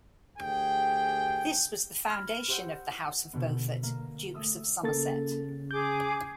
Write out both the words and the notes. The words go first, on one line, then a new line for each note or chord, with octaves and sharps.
This was the foundation of the House of Beaufort, Dukes of Somerset.
D2 G4 G#4 G5
B5 F6 G#6 A#6 B6
G4 C5 F#5 E6 G6
B2 D3 B3
A#3
A3 D#6 E6
C#3 A#3 A4 A6
G#4 D6 G6